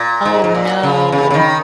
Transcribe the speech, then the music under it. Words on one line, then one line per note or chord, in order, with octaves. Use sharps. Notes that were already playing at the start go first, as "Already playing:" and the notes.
Oh, no.
Already playing: A#2
G#2
G#2
A#2
C#3
C#3
C#3
D#3